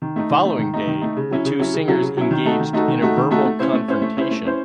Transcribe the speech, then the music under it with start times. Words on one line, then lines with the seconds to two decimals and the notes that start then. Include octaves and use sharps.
The following day, the two singers engaged in a verbal confrontation.
0.02 D#3
0.16 A3 D#4
0.30 D#3
0.45 A3 D#4
0.59 D#3
0.74 A3 D#4
0.87 D#3
1.02 A3 D#4
1.16 C#3
1.31 F#3 C#4 E4
1.45 C#3
1.59 F#3 C#4 E4
1.73 C#3
1.88 F#3 C#4 E4
2.02 C#3
2.17 F#3 C#4 E4
2.31 D#3
2.45 A3 D#4 F#4 A4
2.60 D#3
2.73 A3 D#4 F#4 A4
2.88 D#3
3.02 A3 D#4 F#4 A4
3.17 D#3
3.31 A3 D#4 F#4 A4
3.46 A3
3.60 C#4 E4 C5
3.73 A3
3.88 C#4 E4 C5
4.02 A3
4.17 C#4 E4 C5
4.31 A3
4.45 C#4 E4 C5